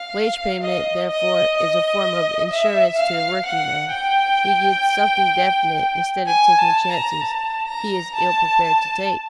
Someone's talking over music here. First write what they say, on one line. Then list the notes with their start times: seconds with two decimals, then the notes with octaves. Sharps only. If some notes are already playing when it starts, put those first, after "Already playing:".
Wage payment, therefore, is a form of insurance to the workingman; he gets something definite instead of taking chances he is ill prepared to take.
Already playing: F5
0.63 D#5
1.10 D#5
1.57 D#5
2.51 E5
2.98 F5
3.45 F#5
3.92 G5
6.27 G#5
6.58 A5
6.89 A#5
7.21 A5
7.68 A#5
8.15 A5